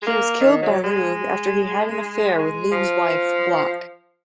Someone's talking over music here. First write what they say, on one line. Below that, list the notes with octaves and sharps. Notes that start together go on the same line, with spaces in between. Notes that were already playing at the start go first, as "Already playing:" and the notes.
He was killed by Lugh after he had an affair with Lug's wife Buach.
G#3
A#3
D#3
F#3
G#3
G#3
F3